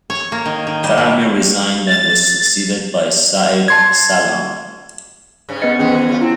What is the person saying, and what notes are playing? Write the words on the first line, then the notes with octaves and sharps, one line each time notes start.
Karami resigned and was succeeded by Saeb Salam.
C#5
A#3
D#3
D#3
G3
B2
A6
A5 C6 G#6
G2 C#3 C#4
B3 B4 D#5 C#7
E2 D#3 C#4 G#4
F#2 C#3 F4
C4 E4